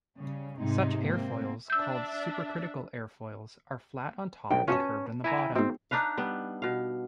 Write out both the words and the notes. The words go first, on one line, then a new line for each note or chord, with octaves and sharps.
Such airfoils, called supercritical airfoils, are flat on top and curved on the bottom.
C#3 G3
G#2 C3 G#3 D#4
A#3 C4
D4 E5 E6 G6
B1 G2 G5
C#4 F4 F#4 B4 C#5 A5
E4 G#5 A#5
G5
G#2 B2 C4
D4 D#4 B4 F5
G3 B3
B2 F5